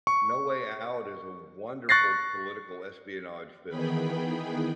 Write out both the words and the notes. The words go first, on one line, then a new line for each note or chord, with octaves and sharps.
No Way Out is a wonderful political espionage film,
C#6
C#6 F#6 A6 A#6 C7
D#3 E3 B3 G#4 G5 B5